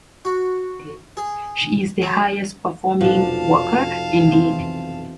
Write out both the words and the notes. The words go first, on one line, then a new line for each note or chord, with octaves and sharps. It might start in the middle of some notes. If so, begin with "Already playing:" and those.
She is the highest performing worker indeed.
F#4
G#4
F#3
F1 B1 F3 D4 F#4 F5 A5
E3 B3 C4